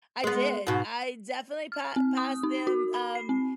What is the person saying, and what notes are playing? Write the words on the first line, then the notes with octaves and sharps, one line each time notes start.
I did, I definitely pa pass them um,
G#3 B3
G#2 B2
F6
C4
D#6
D#4
F#4
B5
C7
C4